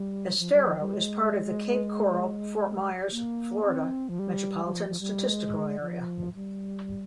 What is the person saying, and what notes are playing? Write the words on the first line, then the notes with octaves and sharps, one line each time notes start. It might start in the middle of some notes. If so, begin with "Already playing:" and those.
Estero is part of the Cape Coral-Fort Myers, Florida Metropolitan Statistical Area.
Already playing: G3
F3
G3
F3
G3
G#3
A#3
C4
F3
G3
G3
F3
F3
G3
G#3
F3
G3